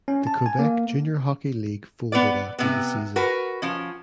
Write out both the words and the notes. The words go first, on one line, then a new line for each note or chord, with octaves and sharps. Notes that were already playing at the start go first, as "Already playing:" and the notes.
The Quebec Junior Hockey League folded after the season.
C#4
A5
G#5
A#3
B3 B4 D5
C3 B3
F#4 A#4 B4
F3 C#4